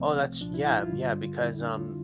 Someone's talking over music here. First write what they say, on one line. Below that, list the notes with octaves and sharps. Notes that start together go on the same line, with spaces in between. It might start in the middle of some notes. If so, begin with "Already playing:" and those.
Oh, that's Yeah, yeah, because, um,
Already playing: C2 C3 F3 A3 C4
C2 A#2 F3 D4
E4
E4
F4
G2 D3 G3
F2 D3 G3 E4
D4
F4